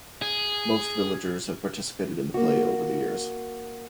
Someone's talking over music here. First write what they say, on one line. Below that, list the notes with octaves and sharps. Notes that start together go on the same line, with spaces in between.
Most villagers have participated in the play over the years.
G#4
A#3 F#4